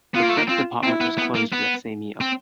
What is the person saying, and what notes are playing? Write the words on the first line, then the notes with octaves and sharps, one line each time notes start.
The prep department was closed that same year.
B3 F4
A#3
A3
A#3
C4 F4
C4 E4
B3
B3
A#3
B3
C4